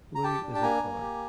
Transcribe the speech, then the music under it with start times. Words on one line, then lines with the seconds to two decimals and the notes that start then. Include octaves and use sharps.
Blue is a colour.
0.15 A#5
0.23 G4 G5 A5
0.43 D4
0.55 A5
0.62 A#3 G#5 A#5
0.83 A#3
1.01 G4